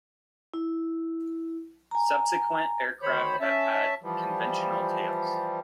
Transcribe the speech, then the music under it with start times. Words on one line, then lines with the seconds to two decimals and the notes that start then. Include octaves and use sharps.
Subsequent aircraft have had conventional tails.
0.54 E4
1.91 G#5 A#5
3.02 D2 D#3 C5 C#5 B5
3.40 C#4 E5 A5
4.03 E3 F3 G3